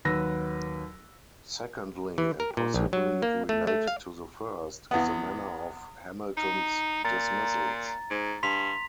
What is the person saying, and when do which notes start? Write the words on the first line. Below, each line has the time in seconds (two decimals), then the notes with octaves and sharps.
Secondly, and possibly related to the first, is the manner of Hamilton's dismissals.
0.05 D#2 F#3 B4 E6 A#6
2.18 E3
2.40 A#4
2.57 A#2
2.74 A#1
2.93 F#3
3.22 A#3
3.49 A3
3.67 A3
3.87 F5
4.91 E2 B3
6.37 D#4
7.05 A#2 A#5 A6
8.11 G#2
8.43 G2 C6 B6 F7